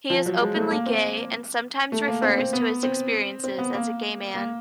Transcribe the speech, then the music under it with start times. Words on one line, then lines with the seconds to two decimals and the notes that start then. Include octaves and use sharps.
He is openly gay and sometimes refers to his experiences as a gay man.
0.10 F3
0.26 F#3
0.41 G#3
0.56 A3
0.71 A#3
0.86 C4
1.92 A3
2.08 A#3
2.22 C4
2.38 C4
2.53 B3
2.83 C4
3.44 C4
3.58 B3
3.74 A#3
4.34 A#3